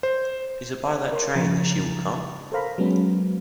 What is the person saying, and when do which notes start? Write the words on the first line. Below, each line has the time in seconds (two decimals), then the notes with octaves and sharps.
Is it by that train that she will come?
0.03 C5
1.12 A#4 C#5 C6
1.34 C#3 F3 A#5 A6
2.52 A4 A#4 C5 F5 A#5 B5
2.78 F#3 G#3 B3 C#4